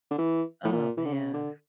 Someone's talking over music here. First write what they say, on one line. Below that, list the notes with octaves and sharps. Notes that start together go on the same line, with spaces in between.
Oh, man.
D3
E3
A2
A#2
E3
D3
C#3
D3